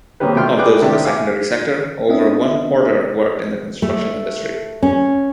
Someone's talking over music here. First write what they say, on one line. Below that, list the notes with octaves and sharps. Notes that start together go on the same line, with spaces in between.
Of those in the secondary sector, over one-quarter worked in the construction industry.
D#3 A#3 C4 C#4 G4 B4
B2 F#3 A3 G5 C6 F6
G#4 B4 D5 G5 D6 F#6
C3 D#3 B3 D4 E4 G4
E5 F5 G#5 D6
B3 C4 D4 D#5 E5
A3
C#4